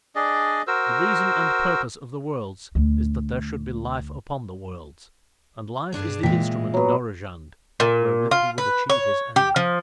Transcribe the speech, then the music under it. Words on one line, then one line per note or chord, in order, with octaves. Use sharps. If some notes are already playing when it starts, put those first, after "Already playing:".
The reason and purpose of the Worlds is that there should be Life upon the Worlds, and Life is the instrument of Dorozhand wherewith he would achieve his end.
D4 G#4 D5 D#5
F#4 A#4 C5 E6
D2 A3
G2 D4 G#4
A#2 E3 G#3 G5 B6
F#3 B3
A#2
F4
B4
C#5
G4
F3